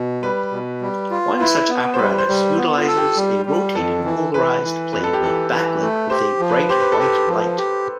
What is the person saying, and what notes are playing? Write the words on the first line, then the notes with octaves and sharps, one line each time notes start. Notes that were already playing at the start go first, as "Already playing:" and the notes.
One such apparatus utilises a rotating polarised plate backlit with a bright white light.
Already playing: B2
G3 B4
B2
G3
F4
E4 B4
B3
C5
G3 B4
C5
G3
B3
F4
A4
G4
G3
G3
F2 A4
E3
E3 B4
E3
F2 B4
A4
G4
E3 A4
E3 B4
A3
G4 C5
F3
B4
G4 C5
B4
A4
G4 B4
F3
G4